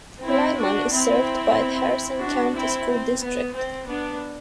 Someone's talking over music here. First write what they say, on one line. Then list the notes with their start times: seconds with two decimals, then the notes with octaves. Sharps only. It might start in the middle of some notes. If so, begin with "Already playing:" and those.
Lyman is served by the Harrison County School District.
0.24 C4 E4
0.57 D4 F#4
0.90 C4 E4
2.22 D4 F#4
2.55 C4 E4
2.88 C4
3.21 B3
3.54 C4
3.87 B3 D4